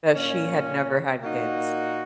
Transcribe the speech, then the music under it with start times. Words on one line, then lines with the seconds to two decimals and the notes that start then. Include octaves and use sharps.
that she had never had kids.
0.13 A#2 A#3 C#4
1.20 A#2 A#3 D#4 F#4